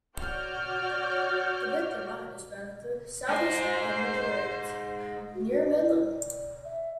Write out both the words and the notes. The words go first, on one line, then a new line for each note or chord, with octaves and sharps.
The Victor Mine is found at the southeastern end of the range near Midland.
F#4 C#5 D5 F6 G6
G#2 C5 G#5
F#4
B4
E4
D5
E5